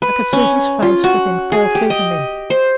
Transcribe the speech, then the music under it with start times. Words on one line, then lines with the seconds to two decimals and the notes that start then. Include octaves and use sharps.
I could see his face within four feet of me.
0.02 B4
0.33 C#4
0.82 F4
1.04 F#4
1.52 G#4
1.75 G4
1.90 D#5
2.50 C5